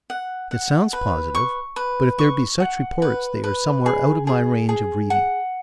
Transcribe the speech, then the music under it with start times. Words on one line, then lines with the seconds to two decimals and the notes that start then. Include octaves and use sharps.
It sounds positive, but if there be such reports they are somewhere out of my range of reading.
0.10 F#5
0.51 F#5
0.93 B4
1.35 C#6
1.76 B4
2.19 C#6
2.60 F#5
3.02 B4
3.44 B4
3.86 G#4
4.27 G#4
4.69 G#4
5.10 F#5